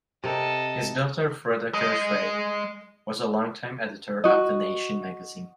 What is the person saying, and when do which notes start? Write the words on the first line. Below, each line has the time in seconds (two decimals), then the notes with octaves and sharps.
His daughter Freda Kirchwey was a longtime editor of "The Nation" magazine.
0.24 C3 A4 A#4 D#5
1.74 G#3 D#5
4.24 F#4 D#5